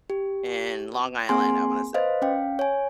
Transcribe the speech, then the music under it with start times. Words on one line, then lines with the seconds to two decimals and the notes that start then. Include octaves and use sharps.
in Long Island, I wanna say
0.10 G4
1.29 A#3 C4 G#4 G#5 C6
1.94 B4 C5 D#5 F5
2.22 C#4 F5 G5
2.59 C#5 G#5